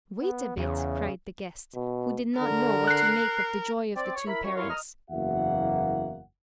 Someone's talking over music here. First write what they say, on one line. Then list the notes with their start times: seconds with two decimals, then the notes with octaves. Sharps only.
"Wait a bit!" cried the guest, who did not know what to make of the joy of the two parents.
0.21 B3
0.57 E2 C#3
1.75 B2
2.40 D3 A#4
2.87 F#6 C7
3.96 C4 D5
4.15 C#5
4.27 E4 A#4 B5
4.43 F#2 C#5
4.55 C2 D#3 F#3 E4 F4 C#5
4.70 D#5 A#5 D#6 F6
5.11 F#1 E2 A#3 F#4 E5 F#5